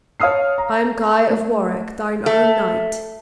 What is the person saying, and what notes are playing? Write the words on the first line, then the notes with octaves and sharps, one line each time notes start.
I am Guy of Warwick, thine own knight.
C#5 F5 A5 D#6 F6 C7
A#5
A3
A3